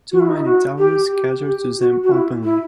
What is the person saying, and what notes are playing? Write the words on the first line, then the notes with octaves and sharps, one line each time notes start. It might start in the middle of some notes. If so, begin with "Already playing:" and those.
Too many taverns cater to them openly.
F#4
E4
D#4
E4
F#4
G4
G4
G4
F#4
F#4
E4
E4